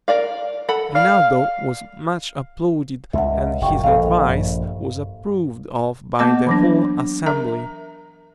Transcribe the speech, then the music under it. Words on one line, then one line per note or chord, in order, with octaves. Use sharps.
Rinaldo was much applauded, and his advice was approved of by the whole assembly.
A#4 D5 F5
A4 F#5 B5
D5 F5
C#2 E5 F#5
F#1 G2 A#2 F5 G5 C#6
A#1 A4 D#5 F5
G2
A#3 B3 D#5 A5 D6
E3 F#3 D4
A#4 E5 A#5